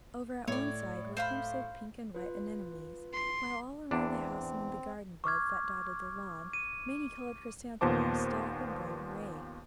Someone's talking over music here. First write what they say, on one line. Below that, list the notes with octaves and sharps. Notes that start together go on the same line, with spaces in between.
Over at one side were clumps of pink and white anemones; while all around the house and in the garden beds that dotted the lawn many-colored chrysanthemums stood up in brave array.
A2 C#5 D5
C5 F5 B5
F4 B4
C6
E2 C4 D4
C#6 D6 F6 G#6
D#7
D#2 A#2 B3 C5 A5 D6